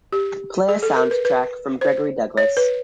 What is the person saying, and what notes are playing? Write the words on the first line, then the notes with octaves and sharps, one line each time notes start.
Play a sound track from Gregory Douglass.
G4
G#4
A4
A#4
B4
B4
C5
C#5
B4